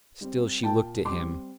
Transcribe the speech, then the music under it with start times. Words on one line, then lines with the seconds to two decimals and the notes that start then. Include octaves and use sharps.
Still she looked at him.
0.21 G3 C4
0.63 A#2 G5 A5
1.05 G3 C4 C6 D6